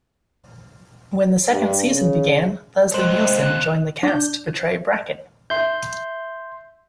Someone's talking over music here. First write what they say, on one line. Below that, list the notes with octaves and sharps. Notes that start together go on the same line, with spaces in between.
When the second season began, Leslie Nielsen joined the cast to portray Bracken.
G2
C#3
D#2 C3 G#3 C5 F#6
D4 G6
E5 C6 G6